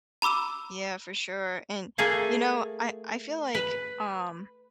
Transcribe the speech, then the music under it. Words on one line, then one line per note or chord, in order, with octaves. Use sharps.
Yeah, for sure, and, you know, I I feel like, um,
A#5 B5 D6 E6 E7
A3 A#3 G#4 A4
B4